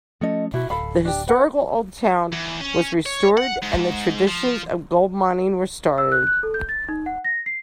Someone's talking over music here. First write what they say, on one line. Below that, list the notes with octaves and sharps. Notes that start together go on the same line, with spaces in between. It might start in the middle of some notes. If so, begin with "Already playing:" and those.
The historical old town was restored and the traditions of gold mining were started.
F3 A3 C#4 A4 D#5
B2 E4 F#4
D1 A4 F5 B5
D4 G4
B4 F#5
E2
C#4
C#5
F#5
G#2
F3
E6
F#6
F#6
A4
G6
A6
D#4
F#5
A#6
C7